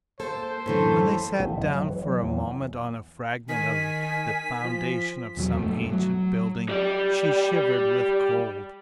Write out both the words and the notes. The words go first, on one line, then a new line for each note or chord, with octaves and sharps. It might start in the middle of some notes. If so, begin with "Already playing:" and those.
When they sat down for a moment on a fragment of the foundation of some ancient building, she shivered with cold.
A#3 A4 C5
F#2 A2 D3 E3 A3 A4
A1
F#1
F#3
E3
F#3
E2
D#3 G#5 B6
F3
E1 E2 F#3
G2 A3
F#3
G3 D5